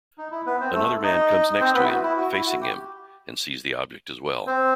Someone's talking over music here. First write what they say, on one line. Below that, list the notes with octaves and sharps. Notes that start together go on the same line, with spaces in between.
Another man comes next to him, facing him, and sees the object as well.
D#4
E4
B3 B4
C4 C5
A3 A4
D#4 D#5
D#5
C4 C5
B3 B4
E4
F#4
E4
F#4
E4
F#4
G4
C4 C5